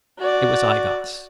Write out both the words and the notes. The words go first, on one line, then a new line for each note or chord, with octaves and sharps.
It was I-Gos.
F#4 D5